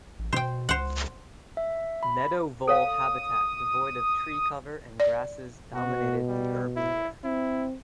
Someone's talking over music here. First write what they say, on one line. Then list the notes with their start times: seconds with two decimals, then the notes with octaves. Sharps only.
Meadow vole habitat devoid of tree cover and grasses dominated the herb layer.
0.19 A1
0.33 B2 C5 G5
0.69 C#2 C5 F#5
1.57 E5
2.03 B5
2.68 A4 C#5 F5 D#6
5.00 D5
5.74 B2 F#4
6.29 G3
6.76 E4
7.24 C4 E4